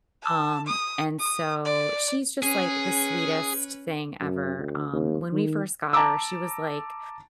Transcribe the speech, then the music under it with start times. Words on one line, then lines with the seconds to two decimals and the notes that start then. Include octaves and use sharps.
Um, and so, she's just like the sweetest thing ever. Um, when we first got her, she was like
0.22 A5
0.66 D#6
1.19 D#6
1.65 D5
2.43 C#4 G#4 B4
4.21 F#2
4.59 D2
4.93 D#2
5.32 D#3
5.93 A5 A#5 D6 E6